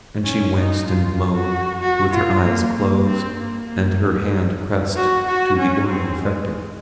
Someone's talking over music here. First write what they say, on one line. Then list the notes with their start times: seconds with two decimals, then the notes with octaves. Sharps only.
And she winced and moaned, with her eyes closed and her hand pressed to the organ affected.
0.24 C#4
0.56 D#4
0.87 F4
1.34 F#4
1.81 F#4
2.13 F4
2.43 A#3
2.75 A#3
3.07 C4
3.39 A#3
3.69 A#3
4.96 F#4
5.26 F#4
5.58 C#4
5.89 C4
6.21 G#3